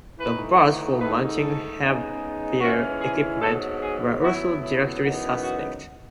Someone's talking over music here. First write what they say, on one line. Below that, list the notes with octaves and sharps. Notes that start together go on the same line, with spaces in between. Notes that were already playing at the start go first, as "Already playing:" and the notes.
Long bolts for mounting heavier equipment were also directly suspect.
E3 A3 D#4 B4
G#2 D#3 A3 D#4 B4
A4
C#3 G#3 B3 D#4
G#2 E3 G#3 C#4 E4 F#4
G#4
G#2 F#3 B3 A4
G#4
A2 F#3 B3 E4 F#4
E4
F#2 C#3 E3 B3 D#4
F#4